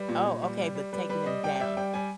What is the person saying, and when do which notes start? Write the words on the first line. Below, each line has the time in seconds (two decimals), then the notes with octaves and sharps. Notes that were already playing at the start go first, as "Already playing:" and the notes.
Oh, okay, but taking him down.
Already playing: G3 B4
0.09 A#2
0.26 A#2
0.42 G3
0.59 G3
0.75 G3
0.93 G3 B4
1.09 G3 B4
1.26 G3 D#5
1.43 G3 G5
1.55 G5
1.60 G3 E5
1.77 G3 G5
1.94 G3 G#5